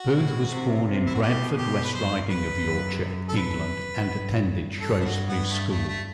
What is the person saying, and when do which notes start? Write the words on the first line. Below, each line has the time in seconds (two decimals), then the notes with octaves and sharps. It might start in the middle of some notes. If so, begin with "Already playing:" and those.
Booth was born in Bradford, West Riding of Yorkshire, England and attended Shrewsbury School.
Already playing: F#4
0.15 A2
0.50 C3
0.86 C3
1.06 E4
1.14 F#4
1.22 B2 G4
1.58 G4
1.84 B4
1.94 F#2 C5
2.29 B4
3.29 A4
3.37 B4
4.09 G2
4.80 G2 A4
5.00 E4
5.05 F#4
5.28 B3
5.52 A3
5.71 A3
5.88 A3